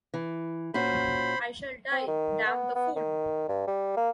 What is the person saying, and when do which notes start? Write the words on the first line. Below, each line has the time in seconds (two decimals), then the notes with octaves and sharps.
I shall die! Damn the fool!
0.14 E3
0.74 A#2 C#4 F#4 C5 B5
1.92 C4
2.08 D#3
2.47 B3
2.75 B3
2.96 D#3
3.48 G2
3.67 G3
3.97 A#3